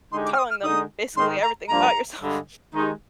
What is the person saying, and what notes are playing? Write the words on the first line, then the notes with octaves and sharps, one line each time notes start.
telling them basically everything about yourself.
D3 G#3 D#4 G4 C6
D6
F6
D#6
F6
D3 G#3 D#4 D#6
G#2 D#3 G#3 D#4 C6
A#5
G2 F3 A#3 D4 A#5
G2 D3 G#3
D#3 G#3 D#4 G4